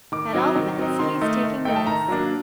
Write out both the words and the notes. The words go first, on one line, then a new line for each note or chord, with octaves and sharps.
"At all events, he's taking notice."
D#3 D6
F#3 C4 D#4
D#3
F#3 C4 D#4
D#3 C6
A3 D#4
D#3
A3 D#4 G5
A5
D#3 A#5
F#3 A#3 D4